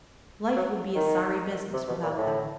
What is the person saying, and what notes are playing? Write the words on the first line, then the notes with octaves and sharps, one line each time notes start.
Life would be a sorry business without them.
F#3
D#3
C3
B2
A#2
A2